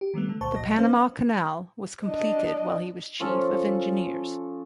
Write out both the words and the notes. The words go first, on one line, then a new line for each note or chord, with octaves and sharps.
The Panama Canal was completed while he was Chief of Engineers.
G4
D#3 G3 A3 B3
D3 A3
C#2 A#2 C5 A5 C#6
G1 A#2 F#3 D#5 A#6
A#3 C#4 B4 C5 F5
D4 D#5
F3 C#4 A4